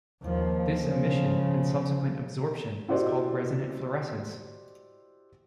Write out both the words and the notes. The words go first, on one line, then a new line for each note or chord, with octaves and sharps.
This emission and subsequent absorption is called resonant fluorescence.
D#2 F3
C#3 F3
E4 F#4 G4 C5 D5 D#5